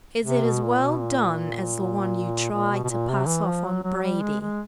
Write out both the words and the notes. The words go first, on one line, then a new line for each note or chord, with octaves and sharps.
"Is it as well done as the one you tried to pass off on Brady?"
C3
B2
A#2
B2
A#2
A#2
B2
B2
A#2
C3
E3
F3
F#3
F#3
G3
G#3
G#3